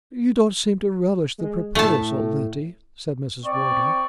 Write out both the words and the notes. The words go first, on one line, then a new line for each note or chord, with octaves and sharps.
"You don't seem to relish the proposal, Letty," said Mrs. Wardour.
G#3
A2 A3 A5
C4 D5 C#6